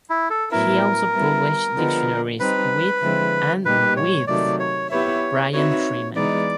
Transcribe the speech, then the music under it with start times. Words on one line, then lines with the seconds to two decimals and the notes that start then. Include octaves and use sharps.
He also published dictionaries with and with Bryant Freeman.
0.10 E4
0.30 A4
0.52 A2 F#3 B3 E4 A#4
1.14 G3 B3 E4
1.77 D3 F3 G#3 B3
2.40 G3 C4 D#4 B4
3.03 D3 F3 G#3 C4 E4
3.65 A#2 G3 A#3 D#4 G4 B4
3.97 C#5
4.27 C3 D#3 F#3 A3 D5
4.60 C#5
4.91 B3 E4 G4 B4 C#5 E5
5.53 C4 D#4 F#4 B4 C#5 E5
6.16 E3 G#3 B3 D#4 D5